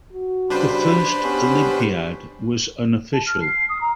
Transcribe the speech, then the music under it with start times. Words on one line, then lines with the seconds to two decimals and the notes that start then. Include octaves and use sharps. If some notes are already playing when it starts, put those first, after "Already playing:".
The first Olympiad was unofficial.
0.13 F#4
0.50 C#3 G3 D4 B4 C5 B5
1.23 B3 C#4 G4
3.13 A5
3.26 F6
3.42 C7
3.69 D#6
3.81 A#5